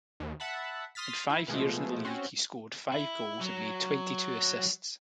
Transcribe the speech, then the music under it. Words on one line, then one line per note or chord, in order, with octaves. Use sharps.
In five years in the league, he scored five goals and made twenty-two assists.
D#2
E5 F#5 A5 B5
C6 D#6 F6 A6 B6
E4
B2 F3 G#3 A3
C4 C#4 F#4
E4
F#3